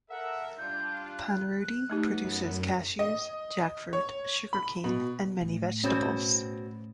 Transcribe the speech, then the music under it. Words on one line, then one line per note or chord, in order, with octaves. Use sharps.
Panruti produces cashews, jackfruit, sugar cane and many vegetables.
A4 A#4 E5 F#5
G3 D4 F4 G6
F#6
F#3 A3 B3 D#4 G4
F#2
D#5
C#5
B5
B2
A2
B2 C4 C#4